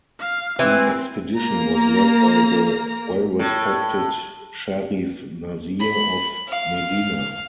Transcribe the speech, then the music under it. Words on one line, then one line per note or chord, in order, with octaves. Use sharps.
The expedition was led by the well-respected Sharif Nasir of Medina.
F5
E3 C4
A#3 A#5
A2
B5
F5